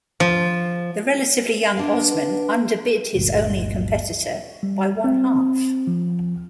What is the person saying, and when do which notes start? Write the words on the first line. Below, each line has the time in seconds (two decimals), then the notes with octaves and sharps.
The relatively young Osman underbid his only competitor by one-half.
0.20 F3
1.77 B3 D4 F5
3.15 G1 D2 A#2 G3
4.63 G3
5.04 C4
5.87 F3